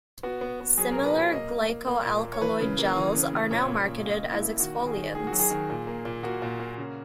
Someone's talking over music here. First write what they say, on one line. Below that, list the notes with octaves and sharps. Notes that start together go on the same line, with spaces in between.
Similar glycoalkaloid gels are now marketed as exfoliants.
B3 F#4
B3
B3
F#3 G#4
B2 A#4
B4
B2 C#5
A#3 D#5
A#3
A#3
A#3
A#2
A#3
C#5
E3 B4
C#3
A#3
E3
C#3
C#3
A#2 C#5
A#3
A#2
A#2 D#5
A#3
E4
A#3
D#3 F#4
D#3
G#4
D#3
D#3 G#4
F#4
F#3
G#4
D#3
A#2
A#3
A#2
A#3 F#4
A#2
A#3
C#3